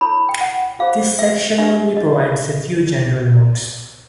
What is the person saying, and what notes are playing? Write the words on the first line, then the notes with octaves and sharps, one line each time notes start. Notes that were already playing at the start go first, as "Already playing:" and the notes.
This section only provides a few general notes.
E4 A4 C#5 B5
G5
F#5
F4 G#4 C5 F5
E5
D4 G4 B4 E5
D#5